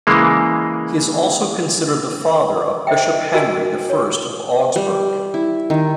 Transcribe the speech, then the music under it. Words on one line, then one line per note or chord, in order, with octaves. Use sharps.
He is also considered the father of Bishop Henry the First of Augsburg.
C#3 E3 G#3 A#3
C5 D#5 E5 G5
F#4 A#4 G5 G#5
C#5
G3
E4
D#3